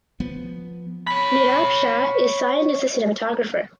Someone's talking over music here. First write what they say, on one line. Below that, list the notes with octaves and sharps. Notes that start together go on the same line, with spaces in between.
Nirav Shah is signed as the cinematographer.
F3 B3
C#5 B5